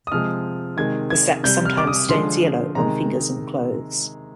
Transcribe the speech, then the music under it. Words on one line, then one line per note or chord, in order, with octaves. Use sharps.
The sap sometimes stains yellow on fingers and clothes.
D#6
C3 F3 G#3 F6
C3 D#3 G#3 G#6
G#6
C3 G3 G6
F6
D6
D#6
D3 F3 G#3 C6
C3 D#3 G#3 A#5